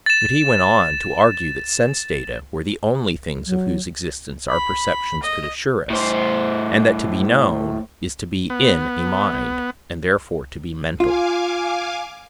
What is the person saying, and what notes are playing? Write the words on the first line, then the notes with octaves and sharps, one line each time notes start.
But he went on to argue that sense-data were the only things of whose existence our perceptions could assure us; and that to be known is to be 'in' a mind, and therefore to be mental.
A6 E7
F#3
B5
D#5
A2 C5
B3
F4 F5 G#5 D6